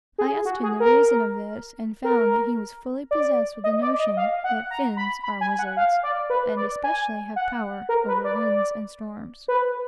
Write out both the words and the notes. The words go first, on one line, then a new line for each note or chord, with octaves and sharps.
I asked him the reason of this, and found that he was fully possessed with the notion that Fins are wizards, and especially have power over winds and storms.
G#4
F#4
G#4
A#4
A#4
D5
D#5
D5
D#5
F5
F#5
A#5
B5
B5
G#5
F#5
F5
D5
B4
D5
G#5
F#5
A#4
B4
D5
B4